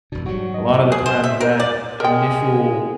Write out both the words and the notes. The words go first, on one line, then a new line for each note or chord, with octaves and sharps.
a lotta the time that initial
E1 B2 D4
G#2 F#3 G3 F#4
D#5
A2 C3
G#4
C5
E5
A#4
D5
G#3 A#4 G5